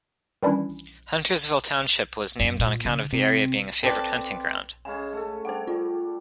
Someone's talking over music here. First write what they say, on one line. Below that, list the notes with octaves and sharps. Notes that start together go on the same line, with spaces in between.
Huntersville Township was named on account of the area being a favorite hunting ground.
D#3 E3 G3 C#4 D4 E4
F#2
A#2
C#3
C3
C4 A4 B4 D5
C#3 G#3 C#4 G#5
A3 A4
G3 D4 C5 F#5
G3 F4